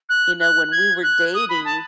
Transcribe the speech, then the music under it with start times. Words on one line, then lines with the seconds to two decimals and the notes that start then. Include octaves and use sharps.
you know, when we were dating
0.09 F#6
0.40 F#6
0.72 G#6
1.03 F#6
1.34 D#6
1.49 B5
1.65 A5